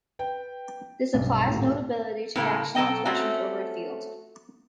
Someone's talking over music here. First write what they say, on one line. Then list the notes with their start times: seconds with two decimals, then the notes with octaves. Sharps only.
This applies notably to rational expressions over a field.
0.19 B4 G5
1.14 B1 G2
1.47 D#1 A2
2.36 A2 C#3 G3 A#3
2.75 B2 F#3 A4 D#5 G5
3.05 A3 C4 C#4 F#4